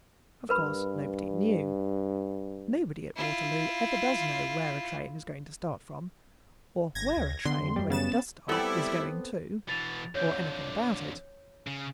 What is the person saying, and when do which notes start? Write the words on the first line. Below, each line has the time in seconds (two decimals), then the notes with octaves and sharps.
Of course nobody knew; nobody at Waterloo ever does know where a train is going to start from, or where a train when it does start is going to, or anything about it.
0.49 G2 A#4 B4 B5
3.16 E4 F4
6.95 G1 G#6 A#6
7.17 D2
7.45 D3 B3 C6
7.62 F2
7.76 F#2 G3
7.90 C#3 B3 A6 E7
8.49 G3 B3 C4 E4 A4 D5
9.69 B2 E3 A6 F7
10.15 F2 D3 C#5 G6
11.67 C#3